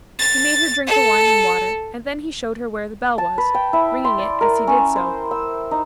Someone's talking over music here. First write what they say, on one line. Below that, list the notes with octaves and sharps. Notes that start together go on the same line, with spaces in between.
He made her drink the wine and water, and then he showed her where the bell was, ringing it as he did so.
A6
A4
A5
B4
G5
E4
C6
D5
A#4
C#4
C5
E6
D#4